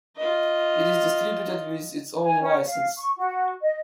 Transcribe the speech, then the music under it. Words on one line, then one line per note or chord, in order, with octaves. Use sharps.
It is distributed with its own licence.
F4 D#5
G#5
C#4
F5
C#6
F#4
D#5